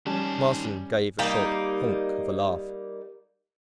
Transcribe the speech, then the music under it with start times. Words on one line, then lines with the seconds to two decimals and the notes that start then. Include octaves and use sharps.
Marsden gave a short honk of a laugh.
0.06 D#3 G3 C#4 A5
1.19 G3 A#3 D#4